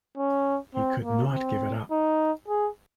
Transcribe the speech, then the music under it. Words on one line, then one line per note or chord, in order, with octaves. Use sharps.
He could not give it up.
C#4
C4
A#3
C4
D#4
G#4